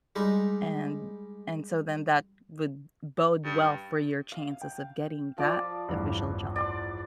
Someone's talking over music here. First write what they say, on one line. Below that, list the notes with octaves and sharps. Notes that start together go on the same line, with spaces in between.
and and so then that would bode well for your chances of getting that official job,
G3 G#3 D#4
G2
F5
G5
F3 F4 D5 D6
A1 E2 G2
D5 C6